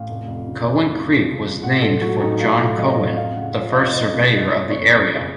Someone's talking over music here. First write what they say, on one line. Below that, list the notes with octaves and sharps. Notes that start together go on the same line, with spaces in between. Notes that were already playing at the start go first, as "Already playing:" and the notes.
Cowan Creek was named for John Cowan, the first surveyor of the area.
Already playing: A1 F5
F1
F2
C#3
F3
F1
F2
C#3
F3
A1 F#5
A2 A4
F#3 F#4
A1 D#4
A1 F4
A2
F#3 D#5
A1
F2 F5
C#3 F#5
F3
D#5
F2 F5
F5
F2 D#5
C#3
F3
F2
F#1 C#5
F2
C#3